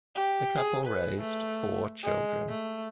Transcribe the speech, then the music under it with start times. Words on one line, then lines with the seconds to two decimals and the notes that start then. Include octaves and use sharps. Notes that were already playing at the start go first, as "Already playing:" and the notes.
The couple raised four children.
0.15 G4
0.56 G#4
0.86 B4
1.21 A3
2.04 G#3
2.49 A3